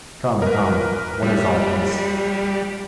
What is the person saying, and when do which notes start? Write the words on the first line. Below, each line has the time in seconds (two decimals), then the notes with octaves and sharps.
Come, come, what is all this?
0.42 A#4 B4
1.23 A#1 G3